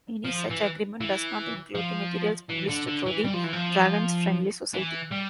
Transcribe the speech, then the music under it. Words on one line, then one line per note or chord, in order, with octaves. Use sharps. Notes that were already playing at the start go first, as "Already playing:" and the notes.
Any such agreement does not include the materials published through "The Dragons Friendly Society".
F3
E3
E3
F3
E3
D3
D3
E3
G3
F3
E3
F3
E3
G3